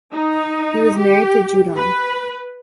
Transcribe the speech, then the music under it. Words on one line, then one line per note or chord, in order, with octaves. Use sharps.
He was married to Judon.
D#4
G4
B4